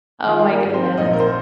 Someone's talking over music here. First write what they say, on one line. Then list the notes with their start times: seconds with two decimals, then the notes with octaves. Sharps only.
Oh my goodness.
0.25 D#3 F4
0.39 G#4
0.49 A#3 A#4
0.62 G#2
0.73 C4 C5
0.97 A#1 D#4 D#5
1.13 A#4
1.20 C5